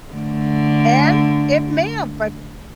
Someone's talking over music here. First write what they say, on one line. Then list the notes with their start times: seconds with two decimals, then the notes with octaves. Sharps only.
And it may have, but
0.13 D3 A3